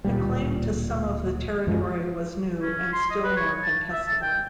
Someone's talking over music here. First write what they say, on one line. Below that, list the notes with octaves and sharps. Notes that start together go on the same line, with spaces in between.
The claim to some of the territory was new and still more contestable.
D1 A#1 A#2 G3
F#2 F3 F#3 G#3
C#4
C6
D#5
B4
C#5
A5
E5
A5
G5